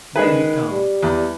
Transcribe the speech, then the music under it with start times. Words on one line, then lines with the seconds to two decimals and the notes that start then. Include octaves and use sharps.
Nearly calm.
0.16 D#3 G#3 G#4 B4
0.71 G3
1.03 E2